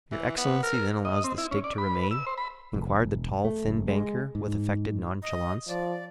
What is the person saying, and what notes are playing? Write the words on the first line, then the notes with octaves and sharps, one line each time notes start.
"Your excellency then allows the stake to remain?" inquired the tall, thin banker, with affected nonchalance.
E3
B3
A#4
D#5
C4
E4
C#4
D5
B5
B4
E6
C5
B5
F1
E1
A3
F#1
G#3
G#2
D#5
F3 D5